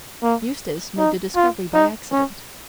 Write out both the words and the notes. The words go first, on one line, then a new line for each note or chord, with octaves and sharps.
Eustace made the discovery by accident.
A#3
D#4
F4
D#4
C#4